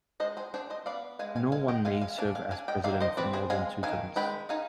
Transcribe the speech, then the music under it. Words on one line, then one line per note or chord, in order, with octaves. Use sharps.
No one may serve as President for more than two terms.
G#3 C5 D#5
G#4 C5
D4 G#4 C5
C5 D#5
B3 D5 F5
G#3 F5 G#5
F5 G#5
G#3 F5 G#5
D#5 G5
G#3 F5 G#5
F5 G#5
D4 F5 G#5
F5 G#5
D4 F5 G#5
D#5 G5
D#3 D5 F5
C5 D#5
C4 B4 D5
G#4 C5
G#3 F5 G#5
D#3 F5 G#5
G#3 G5 B5
D#4 F5 G#5